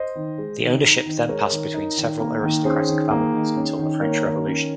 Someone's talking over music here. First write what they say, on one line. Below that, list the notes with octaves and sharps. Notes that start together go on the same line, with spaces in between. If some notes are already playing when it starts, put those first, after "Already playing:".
The ownership then passed between several aristocratic families until the French Revolution.
Already playing: C5 D#5
D#3
G#3
D#3
D#4
D#3
G#3 A#4 C#5
D#3
D#4
D#3
A#3
D#3
C#4 G#4 C5
D#3
A#3
D#3
C#4
D#3
A#3 A#4 C#5
D#3
C#4